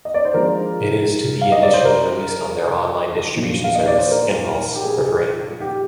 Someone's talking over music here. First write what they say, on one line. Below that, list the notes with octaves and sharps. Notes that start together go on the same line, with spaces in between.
It is to be initially released on their online distribution service, Impulse for free.
D#5
D5
C5
F3 G#3 D4 A#4
F5
D#5
D5
C5
A#4
A#2 F3 A#3 D4
F5
D#5
D5
C5
A#4
G4
G#4
G4